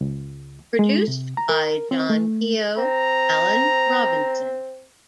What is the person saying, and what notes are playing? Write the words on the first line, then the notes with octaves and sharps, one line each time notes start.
Produced by: John Keogh, Alan Robinson.
C#2
G#3
C3
A#5
A#4
C4
A3
C4 A#5